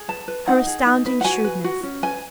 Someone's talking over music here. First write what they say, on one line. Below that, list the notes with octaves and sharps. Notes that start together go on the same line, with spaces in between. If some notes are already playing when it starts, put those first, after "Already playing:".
Her astounding shrewdness!
Already playing: G#4
B4 A5
B4
D#4 F#5
G#4
D#4
B4
F#5
F#4 G#5
B4
F#4
C#4
B4 G#5